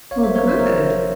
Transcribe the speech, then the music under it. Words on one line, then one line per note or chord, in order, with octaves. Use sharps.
Oh, good.
G1 C#5 F5
C5 E5
F3 A#4 C#5
C5 E5
C3 A#4 C#5
F3